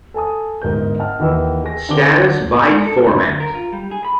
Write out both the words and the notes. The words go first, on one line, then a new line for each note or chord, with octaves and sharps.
Status byte format.
A4 G#5 A5 D#6
G1 G#2 A#4 G6
D#5 F#5 A5 F6
D#2 D#3 E3 D#5 F#5 E6
G#4 A#6
D3 C4 A#4 D6 G7
G#3
A4
C#3
D3
A#4
F4
G3
G#4
B5